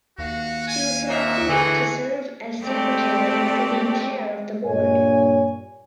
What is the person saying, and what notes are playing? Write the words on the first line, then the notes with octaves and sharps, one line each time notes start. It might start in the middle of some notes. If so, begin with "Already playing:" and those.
She was selected to serve as secretary after being chair of the board.
D#2 F#4 F5
G#5
A#2 C4 D#4 F#4 E5
A2 D3 E3 A3 G#4
G#3 A3 C4 G4 D5
G2 A#2 C#5 G#5